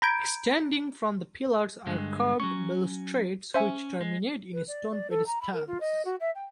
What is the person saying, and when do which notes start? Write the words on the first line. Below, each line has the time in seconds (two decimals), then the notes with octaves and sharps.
Extending from the pillars are curved balustrades which terminate in stone pedestals.
0.02 A#5 B5 G6 G#6 D7
1.87 G2 D3 G#3
2.40 F#3 C#4 C#6
3.54 C#4 C5 E5 G#5
4.01 G#3
4.53 B4
4.67 D5
4.90 D5
5.10 A4
5.26 A#5
5.41 B5
5.53 A#4
5.67 F4
5.80 D#5
6.05 F#4
6.20 E5
6.35 G5